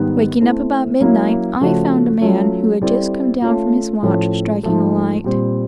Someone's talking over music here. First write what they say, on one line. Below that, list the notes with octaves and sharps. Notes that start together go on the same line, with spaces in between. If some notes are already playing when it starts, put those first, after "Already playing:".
Waking up about midnight, I found a man who had just come down from his watch, striking a light.
Already playing: G#2 D#3 G3 B3 D#4
A3 C4 E4
F#3 A#3 C#4 E4
C#3 F3 A3 C#4 F#4
F#3 A3 C#4 F4
G3 C4 E4 A4 D5
A3 C#4 F4
A2 F3 A3 C#4
G#2 F3 A3
A#2 G3 C4